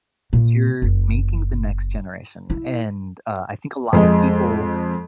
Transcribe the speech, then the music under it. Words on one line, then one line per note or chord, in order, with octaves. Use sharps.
you're making the next generation, and, uh, I think a lotta people,
A#2
F#1
E4
F2 G#3 D#5